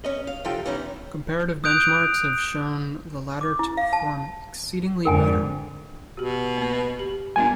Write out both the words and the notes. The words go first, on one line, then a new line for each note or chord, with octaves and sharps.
Comparative benchmarks have shown the latter to perform exceedingly better.
C#4 D#5
F5
C3 F3 F4 A4 G5
E3 B3 C#4 D#4 E4
D#6 F#6 G6 D7 F7
D6
E4
F5
A5
F2 G#2 D3 A#4 G5 G#5
B2 F#4 G4
A#3 B4
G4
A#2 G3 B3 D4 G#5